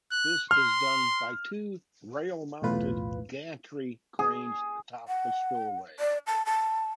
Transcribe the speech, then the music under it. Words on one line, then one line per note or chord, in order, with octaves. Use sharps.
This is done by two rail-mounted gantry cranes atop the spillway.
F#6
C6 F6
B1 E2 A2 F4 B4
G#4
F#5
D5
A5
A5